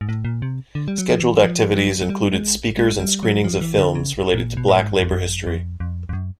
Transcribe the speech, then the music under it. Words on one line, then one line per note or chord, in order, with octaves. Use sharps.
Scheduled activities included speakers and screenings of films related to Black labor history.
G#2
A2
A#2
C3
D3
G3
F#3
F3
E3
F3
F#3
F#3
G3
G#3
G#3
G3
F#3
F3
E3
D3
C#3
A#2
B2
A2
G#2
F2
F#2
F2
F2
F2
F#2